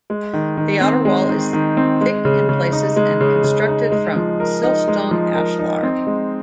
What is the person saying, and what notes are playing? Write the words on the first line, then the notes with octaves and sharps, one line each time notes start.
The outer wall is thick in places and constructed from Siltstone ashlar.
G#3
D#3
D#3
C4
G#3
D#3
D#3
C4
G#3
C#3
C#3
D#4
G#3
C#3
C#3
D#4
G#3
F3
A#4
D#4
G#3
F3
A#4
D#4
C4
G#3